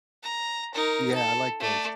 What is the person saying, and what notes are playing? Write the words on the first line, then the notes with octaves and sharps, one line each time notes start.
Yeah, I like those.
A#5
D#4 A#4
A4
A3 D5